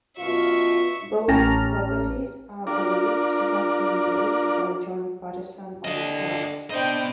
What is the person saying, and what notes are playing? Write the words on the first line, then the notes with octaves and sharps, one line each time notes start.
Both properties are believed to have been built by John Paterson of Largs.
F#2 B2 F4 E5 C#6
A1 C#4 G4 A5 A#5 F6
D4 F4 A#4 D5
D3 G4 D#5
B3 D4 C5 D#5 G5